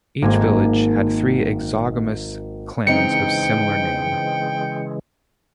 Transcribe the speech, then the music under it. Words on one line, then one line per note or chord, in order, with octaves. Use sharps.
Each village had three exogamous clans of similar name.
G#1 A#3 G#5
G#2 C#3 E3 G#3 C4 D#4 G5 C#7